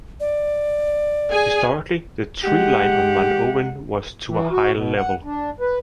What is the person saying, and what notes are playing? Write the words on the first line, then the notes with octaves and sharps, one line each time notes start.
Historically, the tree line on Mount Owen was to a high level.
D5
G#4 G#5
G#3 G4 F#5
E3
F#4
B2
F#5
D4
B4